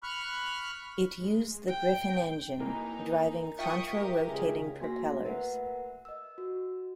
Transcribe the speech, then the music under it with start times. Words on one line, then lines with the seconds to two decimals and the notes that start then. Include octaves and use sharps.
It used the Griffon engine driving contra-rotating propellers.
0.03 B5 C#6 F6 F#6
1.20 G#3
1.68 G5
2.60 E3 A#3 D#4 A#4
3.59 F4 E5 G5 C#6 D#6
3.91 G4 A#4 B6
4.27 C#2 G#4
4.81 A#3 F#4 G#5 C6 A#6 B6
5.04 A3
5.25 A#4 B4 E5 F#5
6.05 D#5 E6
6.38 F#4